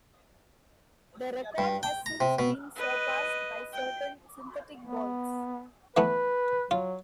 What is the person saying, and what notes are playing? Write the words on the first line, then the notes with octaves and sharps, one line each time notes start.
The record has since been surpassed by certain synthetic boules.
G2
G5
A#5
C3
B2
B4 D#5
G5
B3
E3 A3 B3 B4
F#3 F4